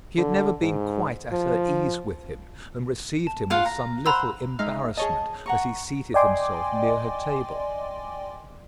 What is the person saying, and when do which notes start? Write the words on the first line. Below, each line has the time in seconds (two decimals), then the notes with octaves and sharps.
She had never been quite at her ease with him, and received him with some little embarrassment as he seated himself near her table.
0.18 D3
0.61 G#2
1.32 F3
3.27 A5
3.50 F4 F5 F#5
3.66 A#5
4.06 C5 F#5 A#5 B5 E6
4.59 G#3 D#4 E5 F5
4.97 G#4 C#5 D#5 A5
5.46 F#5 A#5 C#6
6.14 D5 D#5 G5 G#5 C6 D6